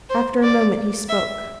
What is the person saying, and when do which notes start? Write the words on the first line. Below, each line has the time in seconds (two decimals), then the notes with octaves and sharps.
After a moment he spoke.
0.10 C5
0.43 D5
1.09 E5